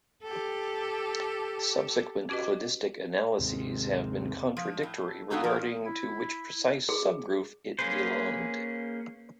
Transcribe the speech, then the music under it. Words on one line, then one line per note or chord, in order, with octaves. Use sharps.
Subsequent cladistic analyses have been contradictory regarding to which precise subgroup it belonged.
G4 A4
C#4 F#4 G4 B4 D#5
D#2 G#2 C3
F3
A2
A#3 B3 D#4 F#4 A4 A#5
F3 A#4
E4
G#4
A#3 C#4 G#4 B4 C5